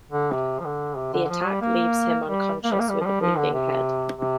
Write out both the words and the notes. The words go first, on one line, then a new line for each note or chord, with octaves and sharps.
The attack leaves him unconscious with a bleeding head.
D3
C3
F3
D3
C3
D3
D3
F3
G3
A#3
G3
A#3
G3
A#3
G3
F3
G3
F3
D3
C3
C3